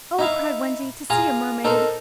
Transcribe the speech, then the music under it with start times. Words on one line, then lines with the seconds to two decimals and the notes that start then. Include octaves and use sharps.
"Oh," cried Wendy, "to see a mermaid!"
0.19 D#4 E4 F5
1.10 F4 G#4 A#5
1.64 D#4 A4 A#4 C5